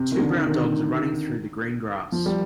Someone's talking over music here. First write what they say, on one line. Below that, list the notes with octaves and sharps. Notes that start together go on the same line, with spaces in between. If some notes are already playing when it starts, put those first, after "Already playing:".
Two brown dogs are running through the green grass.
Already playing: C3
D#3
D3
D#3
F3
G3